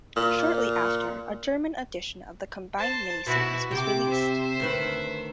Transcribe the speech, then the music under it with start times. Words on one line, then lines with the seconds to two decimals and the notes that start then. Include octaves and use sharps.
Shortly after, a German addition of the combined mini-series was released.
0.16 A#2
2.78 C5 A5
3.27 B2 E4 F#4
3.71 C3 G5 D6
4.08 C5 E5
4.60 D2 D#3 B4